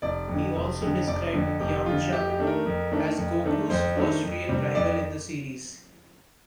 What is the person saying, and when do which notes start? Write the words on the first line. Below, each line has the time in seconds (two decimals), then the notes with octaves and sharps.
He also described Yamcha as Goku's first real rival in the series.
0.02 F1 D5
0.28 F2
0.34 D3
0.56 F1
0.81 F2 D3
1.07 F1 D5
1.33 F2 D3
1.60 F1 G4
1.86 F2 D3 F4
2.12 F2 G4
2.30 G4
2.39 D#3 A3 D4
2.47 A#4
2.66 F2
2.92 D#3 A3 D4
3.17 F2
3.44 D#3 A3 D4
3.70 F2 C5
3.96 D#3 A3 D4
4.23 F2
4.49 C3 G3 C4
4.75 F2 D5